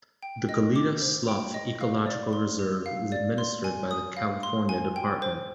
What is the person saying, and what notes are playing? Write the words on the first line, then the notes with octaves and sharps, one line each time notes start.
The Goleta Slough Ecological Reserve is administered by the Calif. Dept.
G5
D#5
D6
C5
G5
D#5
F5
D5
C6
G4
F5
D5
C6
G#5
D#6
F5
C6
G#5
G5
C5